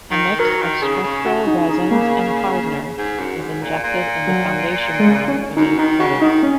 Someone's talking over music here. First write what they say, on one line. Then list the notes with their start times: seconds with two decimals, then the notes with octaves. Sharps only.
A mix of structural resins and hardener is injected into foundation ground beneath footings.
0.11 D#3
0.39 F#3 A#4
0.62 D#3
0.82 C#3 G#4
1.04 C#3
1.26 F#4
1.47 D#4
1.69 D#4
1.91 A#3
2.98 G#2
3.19 F#2
3.40 G#2
3.62 A#2
3.84 A#2
4.27 F#3
5.00 G#3
5.28 C#4
5.56 F#2 D#4
5.78 D#3 D#4
6.00 C#3 F#4
6.21 D#3 D#4
6.43 C#4